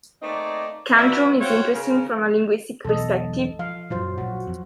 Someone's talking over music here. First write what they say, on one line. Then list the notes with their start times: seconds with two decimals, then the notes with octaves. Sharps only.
Kantrum is interesting from a linguistic perspective.
0.22 A3 A#3 C4 D#4 D5
0.93 F#4 B4 D5 E5
1.41 F4 F#4 C5 C#5 F#5 G5
1.74 C#3 A#4
2.85 E1 B1 A4 D#5
3.59 F3 F5
3.90 F#2 A#2 F#3 F4 C5
4.18 A#1 A#2 F#4
4.47 F2